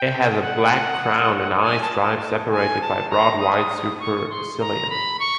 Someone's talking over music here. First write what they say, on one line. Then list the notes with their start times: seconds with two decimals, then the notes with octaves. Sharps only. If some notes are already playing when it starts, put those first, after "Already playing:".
It has a black crown and eye stripes separated by a broad white supercilium.
Already playing: G5
0.41 F#5
1.61 G#5
1.81 A5
2.01 A5
2.51 G#5
2.81 A5
3.10 A#5
3.40 D#6
4.00 C#6
4.30 C6
4.60 A#5
4.90 B5
5.20 C#6